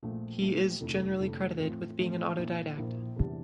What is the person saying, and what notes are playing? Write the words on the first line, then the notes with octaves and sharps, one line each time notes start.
He is generally credited with being an autodidact.
A#1 A#2 F3 A3
A#1 A#2 F3 A3
F1 F2 D3 A3 E4
F1 F2 D3 A3 E4
A2 E3 A3 C4 F4
A2 E3 A3 C4 F4
A#1 A#2 F3 A#3 E4
A#1 A#2 F3 A#3 E4
E2 C3 E3 G3 D4